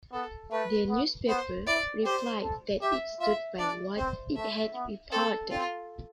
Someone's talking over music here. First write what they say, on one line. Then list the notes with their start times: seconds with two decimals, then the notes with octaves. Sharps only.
The newspaper replied that it stood by what it had reported.
0.12 B3 A4
0.51 A3 B4
0.90 B3
1.28 B3 C5
1.67 E4 D5
2.05 G4 C5
2.43 A4
2.82 G4 E5
3.20 F4 E5
3.59 D4 D5
3.97 C4 C5
4.36 A3 E5
4.74 B3
5.12 C4 A4
5.51 C4 F4